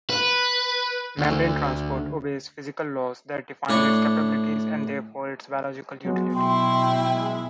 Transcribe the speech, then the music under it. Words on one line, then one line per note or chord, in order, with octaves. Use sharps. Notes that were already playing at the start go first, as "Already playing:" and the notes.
Membrane transport obeys physical laws that define its capabilities and therefore its biological utility.
B4
D2
A2 D4 C#6
F#3 G#3 B3 F#4
B2 E4 G5 C6
G#3